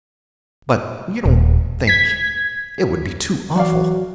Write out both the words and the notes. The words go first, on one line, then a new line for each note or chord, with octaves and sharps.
"But you don't think--it would be too awful!"
D#1
G#6 B6
E3 F#3 F#4 D5 F5